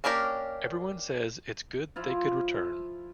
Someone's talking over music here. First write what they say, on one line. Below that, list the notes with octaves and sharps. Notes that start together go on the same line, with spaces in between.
Everyone says it's good they could return.
A#3 C#4 D4 G4 A#4
F3 E4 F4